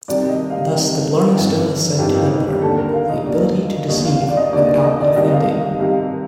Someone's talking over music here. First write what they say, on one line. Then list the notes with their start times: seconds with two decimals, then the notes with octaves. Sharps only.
Thus the Blarney Stone is said to impart "the ability to deceive without offending".
0.08 C2 C3 D#3 D5
0.29 D#5
0.50 F5
0.71 C2 C3 D#3
1.34 G1 F2 D#3
1.98 G1 F2 D#3 G4
2.15 D#4
2.31 D#4
2.46 G4
2.62 D#2 D3 A4
2.78 A#4
2.94 F5
3.09 D#5
3.26 D#2 D3 D5
3.89 D#2 D3 D#5
4.05 F5
4.20 F5
4.29 D5
4.37 D#5
4.53 D#2 D3 D5
4.69 D5
4.84 D#5
5.00 D5
5.16 C2 C3 D#3 D#5
5.28 D#5
5.32 F5
5.48 F5
5.64 F5
5.79 C2 C3 D#3 F5